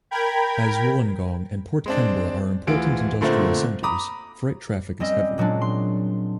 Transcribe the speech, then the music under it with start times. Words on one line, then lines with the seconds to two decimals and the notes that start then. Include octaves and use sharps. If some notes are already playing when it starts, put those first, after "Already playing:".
As Wollongong and Port Kembla are important industrial centres, freight traffic is heavy.
0.11 A#4 G5 B5 G#6
1.86 G#3 C4 D4
2.67 D2 E3 F4 G#4 D7
3.21 A#2 D3 A3 A#3 C4
3.83 A#5 B5 D6 D#6
5.00 G3 C4 C#4 D#5
5.38 A#2 F#3 G#3 D4
5.61 C6